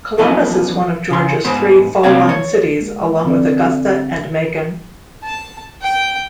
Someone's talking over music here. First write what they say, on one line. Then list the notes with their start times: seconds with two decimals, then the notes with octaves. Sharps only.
Columbus is one of Georgia's three Fall Line Cities, along with Augusta and Macon.
0.18 F#2 E3 F3 B3 E4 D#5
1.10 C#3 C6
1.45 G#2 B3 C5
2.03 C3 G3 A#3 C4 C#5 F5
2.29 C#5
2.81 G#3 A#3
3.25 D3 C4 A4 D5
5.23 A5
5.82 G5